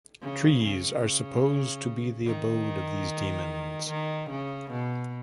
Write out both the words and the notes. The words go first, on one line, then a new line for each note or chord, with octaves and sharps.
Trees are supposed to be the abode of these demons.
C#3
C#3
D#3
D#3
C#3
B2